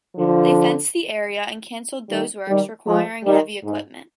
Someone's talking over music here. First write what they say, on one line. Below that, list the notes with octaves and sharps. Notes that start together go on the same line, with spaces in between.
They fenced the area and canceled those works requiring heavy equipment.
D3 F3
D#3 G3
D#3 G3
F3 G#3
D#3 G3
G#2